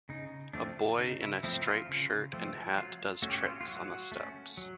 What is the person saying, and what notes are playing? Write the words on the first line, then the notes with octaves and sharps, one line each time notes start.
A boy in a striped shirt and hat does tricks on the steps.
C#3 D#4
F3 A3 C4 D4
C#3 D#4
E4
F3 A3 C4 E4
E4
F4
C#3
F3 A3 C4
F#3 F4
A3 C#4 F#4
G4
F#4
F4
F4
F#3 F#4
A3 C#4
F#3